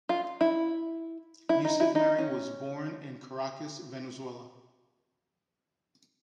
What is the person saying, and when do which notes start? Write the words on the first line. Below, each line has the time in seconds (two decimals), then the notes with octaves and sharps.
Yucef Merhi was born in Caracas, Venezuela.
0.09 F4
0.41 E4
1.49 E4
1.65 D#4
1.80 E4
1.95 D#4
2.19 C#4